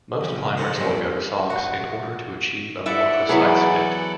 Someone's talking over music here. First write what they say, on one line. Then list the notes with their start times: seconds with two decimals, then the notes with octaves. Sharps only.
Most climbers forgo socks in order to achieve a more precise fit.
0.21 A#1 C#3
0.57 D#3 C#4 A4 A#4 C5
0.77 G2 A#2 F3 C4 C#4
1.50 F#4
2.86 E4 A4 D5 E5 F#5
3.29 E3 F#3 B3 G#4